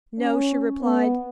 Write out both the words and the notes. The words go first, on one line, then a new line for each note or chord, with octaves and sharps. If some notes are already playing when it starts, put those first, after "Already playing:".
"No," she replied.
C#4
B3